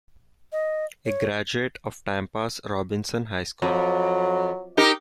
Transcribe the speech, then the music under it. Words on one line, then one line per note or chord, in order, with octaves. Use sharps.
A graduate of Tampa's Robinson High School.
D#5
C#5
F2 F#3
D#4 G4 A#4